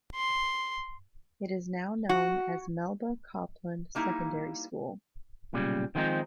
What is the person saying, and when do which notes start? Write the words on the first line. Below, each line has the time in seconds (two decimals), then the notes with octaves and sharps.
It is now known as Melba Copland Secondary School.
0.15 C6
2.09 F#4
3.95 G3 A#3 D#4 E4
5.53 B1 A#2 C#3 G3
5.95 D#3 F3 G#3 A#3 C4 D#4